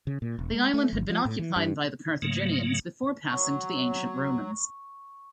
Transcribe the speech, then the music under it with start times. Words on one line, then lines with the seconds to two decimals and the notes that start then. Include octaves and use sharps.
The island had been occupied by the Carthaginians before passing to the ancient Romans.
0.07 C#3
0.22 A#2
0.39 E1
0.54 G#3
0.74 A3
0.93 G1
1.10 F3
1.25 A2
1.39 E3
1.56 G2
2.22 G#2 C#3 F#3 A3 A#3
3.29 F#3 C#6